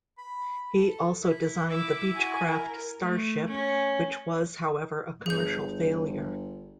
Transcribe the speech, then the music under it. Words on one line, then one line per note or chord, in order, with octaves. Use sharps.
He also designed the Beechcraft Starship, which was, however, a commercial failure.
B5
A4
E4
E4 D6 E6
F#4 G#5
A#4
A3
C#4
G1 G#4 G6